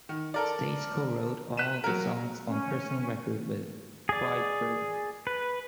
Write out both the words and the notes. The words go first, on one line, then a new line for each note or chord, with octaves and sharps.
Stace co-wrote all of the songs on Personal Record with Friedberger.
D#3
A4 A#4 D5
F#6 B6 D#7 E7
F#3 A#4
C#4
G#4 D5
B4